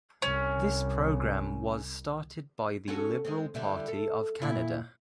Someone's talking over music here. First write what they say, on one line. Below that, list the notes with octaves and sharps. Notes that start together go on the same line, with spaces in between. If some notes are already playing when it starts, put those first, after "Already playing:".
This program was started by the Liberal Party of Canada.
C2 C#4
C#4 F#4 A4
G#3 C4
D3 G3 E4
A4
A#2 E4